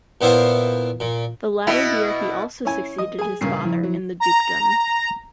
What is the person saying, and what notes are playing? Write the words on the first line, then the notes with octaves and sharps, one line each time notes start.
The latter year he also succeeded his father in the dukedom.
A#2 B3 E4 C5 F5 F#5
A#2
B2 E4
C#4 E4 G#5
D#5 D#6
G#4 G#5
G2 A#2 C#3 C7
F3 E4
F#3
A#5